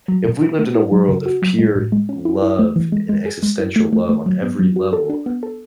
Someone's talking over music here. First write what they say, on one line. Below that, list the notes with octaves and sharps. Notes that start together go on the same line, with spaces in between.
if we lived in a world of pure love and existential love on every level
F#3
B2
E4
A3
E4
F#3
C#3
F#4
F#3
G#3
A2
G#3
C#4
E4
E4
A3
E3
G#3
G#3
G#4
G#3
E4
A3
A3
A3
F#3
B3
F#3
F#4
A4
D4
B3
A4